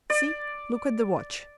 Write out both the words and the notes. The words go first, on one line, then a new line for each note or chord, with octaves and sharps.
See, look at the watch.
D5